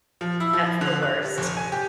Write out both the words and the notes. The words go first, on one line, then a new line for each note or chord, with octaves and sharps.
That's the worst.
F3
E4
F3
D3
F#6
G3
F1
G#5
G4